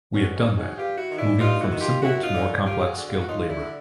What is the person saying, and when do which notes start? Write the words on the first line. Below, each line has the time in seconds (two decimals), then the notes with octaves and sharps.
We have done that, moving from simple to more complex skilled labor.
0.13 G2 B3 C#4
0.35 C#4 D#4
0.46 D#3
0.56 F#4 G#4
0.76 G2 F4 G4
0.97 E4 F#4
1.08 D#3
1.18 D4 E4
1.39 G2 D#4 F4
1.60 E4 F#4
1.71 D#3
1.81 F4 G4
2.02 F#2 E4 F#4
2.23 D#4 F4
2.33 D3
2.65 F#2 F4 G4
2.86 F#4 G#4
2.95 D3
3.07 F4 G4
3.21 F#4
3.27 F#2 D#4 F4
3.48 D4 E4
3.58 D3